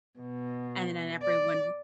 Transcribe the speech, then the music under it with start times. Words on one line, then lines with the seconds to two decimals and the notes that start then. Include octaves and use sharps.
and then everyone
0.19 B2
1.22 D5